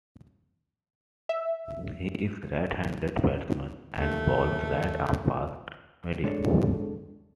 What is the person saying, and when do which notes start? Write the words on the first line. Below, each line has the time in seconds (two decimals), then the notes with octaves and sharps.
He is a right-handed batsman, and bowls right-arm fast-medium.
1.29 E5
3.97 D#2 A3
6.24 G#3 D4 A4 C#5